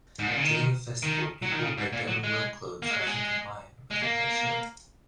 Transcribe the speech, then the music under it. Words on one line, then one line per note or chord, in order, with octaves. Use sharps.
During the festival people wear denim work clothes, often combined with a white shirt.
G#2
A#2
C#3
D#3
D#3
F#3
D#3
C#3
G#2
A#2
F#3
G#3
A#3
G#3
F#3
G#3
G#3
A#3